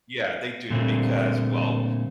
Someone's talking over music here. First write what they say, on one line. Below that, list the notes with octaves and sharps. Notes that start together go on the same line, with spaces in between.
Yeah, they do, because, well,
A#2 D3 G3 A3 A#3 C4